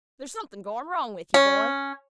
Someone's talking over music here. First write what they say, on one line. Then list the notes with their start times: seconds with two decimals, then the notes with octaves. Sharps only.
There's something going wrong with you, boy.
1.34 C#4